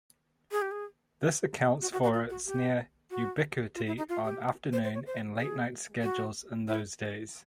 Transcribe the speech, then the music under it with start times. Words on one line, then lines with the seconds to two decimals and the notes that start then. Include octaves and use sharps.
This accounts for its near-ubiquity on afternoon and late-night schedules in those days.
0.51 G#4
0.62 G4
0.71 G#4
1.82 F#4
1.93 F#4
2.03 F#4
2.14 F4
2.30 F#4
2.46 G4
3.10 F#4
3.75 F4
3.87 E4
3.98 D#4
4.09 F4
4.24 G4
4.73 C5
4.84 C5
4.94 C#5
5.06 C5
5.39 G#4
6.03 F#4
6.68 E4